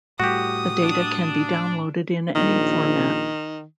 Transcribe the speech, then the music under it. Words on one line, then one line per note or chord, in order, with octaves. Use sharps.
The data can be downloaded in any format.
A2 G3 F#4 G4 D#6
D4
A#1 D#3